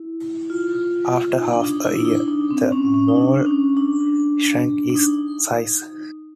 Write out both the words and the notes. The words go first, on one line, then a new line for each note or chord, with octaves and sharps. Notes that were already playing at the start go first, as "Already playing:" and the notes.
After half a year, the mall shrank its size.
Already playing: E4
F4
D#4
D4
D#4
E4
D4
D#4
D4
C4
C#4
C#4
D#4
D4
C#4
D4
D4
D#4